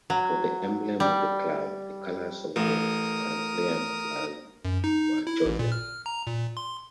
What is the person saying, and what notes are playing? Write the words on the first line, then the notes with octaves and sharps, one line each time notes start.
For the emblem of the club, the colors of the Paraguayan flag were chosen.
F#3
G3
A1 A#4 D#6
F#2
D#4
E4
A1
A#2
F6
A#5
A#2
C6